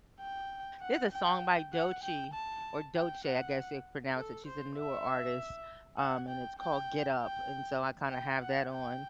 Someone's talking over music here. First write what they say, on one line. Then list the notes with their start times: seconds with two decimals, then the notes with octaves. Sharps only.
there's a song by Doechii or Doechii, I guess you pronounce it, she's a newer artist, um, and it's called “Get Up,” and so I, kinda, have that on
0.21 G5
0.82 F#5
1.12 G5
1.73 F#5
2.03 G5
2.34 A5
2.95 G5
3.24 F#5
4.16 A4
4.46 C5
4.77 E5
5.98 F#5
6.29 G5
6.59 G5
7.20 G5
8.11 G5
8.41 F#5
8.72 G5